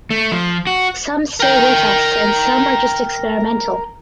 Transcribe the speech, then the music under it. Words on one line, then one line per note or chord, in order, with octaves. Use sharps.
Some stay with us and some are just experimental.
A3
F3
F#4
A#4 G5